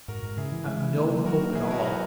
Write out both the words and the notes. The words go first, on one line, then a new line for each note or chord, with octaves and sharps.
I have no hope at all.
G#2 F#4 A#4
G#2
C#3 E4 G#4
E3
G#3 E4 G#4
E3
A#3
F#3
F#3 F#4 A#4
A#3
F#3 E4 G#4
B4
F#3 F#4 A#4
D#4 F#4